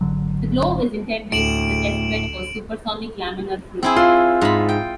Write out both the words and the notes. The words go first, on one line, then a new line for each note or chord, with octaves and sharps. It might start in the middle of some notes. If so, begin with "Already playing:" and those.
The glove is intended as a testbed for supersonic laminar flow.
G#1 D3 F#3
D2 A2 D7 E7 F#7
C4 E4 G#4
F4 C6
G#2 B5
G5